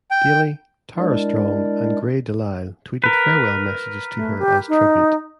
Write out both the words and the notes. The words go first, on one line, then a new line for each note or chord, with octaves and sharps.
Daily, Tara Strong, and Grey DeLisle, tweeted farewell messages to her as tribute.
G5
G#3 D4 E4 A#4 D5
A#4 B4
A3
G4
D#4